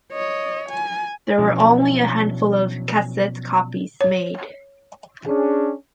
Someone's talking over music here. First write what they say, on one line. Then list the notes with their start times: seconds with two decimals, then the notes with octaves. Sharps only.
There were only a handful of cassette copies made.
0.13 C#5 D#5
0.70 G#5
1.38 B2 F3 F#3 C#4 D4 E4
4.01 C#5
5.27 C#4 D4 G#4